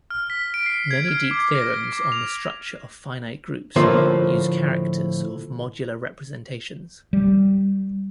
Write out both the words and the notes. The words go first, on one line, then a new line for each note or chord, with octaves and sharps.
Many deep theorems on the structure of finite groups use characters of modular representations.
F6
B6
D7
C7
G#6
F6
D6
A#6
D6
F7
A2 D3 F3 A3 A#3 E5
G3